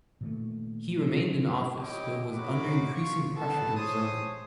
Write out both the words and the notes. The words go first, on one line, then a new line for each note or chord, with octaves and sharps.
He remained in office, but was under increasing pressure to resign.
A#2 D#3 A3
G3 C#4 E4 G4 D#5 D6
G#3 C#4 D#4 F#4 B5 D6
F4 C#6
B3 A4 A5
G#4 C5 C#5 A5 D#6